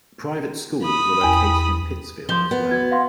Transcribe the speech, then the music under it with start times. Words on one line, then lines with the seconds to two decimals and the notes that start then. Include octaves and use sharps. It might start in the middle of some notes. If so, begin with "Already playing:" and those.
Private schools are located in Pittsfield as well.
0.83 B5 D#6
1.21 E2 G5
2.29 F3 C6 G6 G7
2.51 B3
2.71 F#4 G#6
2.92 F5 F#5 C6